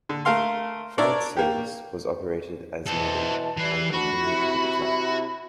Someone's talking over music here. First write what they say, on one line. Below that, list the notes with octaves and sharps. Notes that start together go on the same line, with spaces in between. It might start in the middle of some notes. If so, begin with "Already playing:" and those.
Freight service was operated as-needed, and continued to decline.
D3
A3 A#4 F5 C6
D4 A#4 C#5 D5 E5
A#3 G4
B2 E3 A4 C5 A5
E3 G3 C7
D2 D4 F#4 B5
C3 E4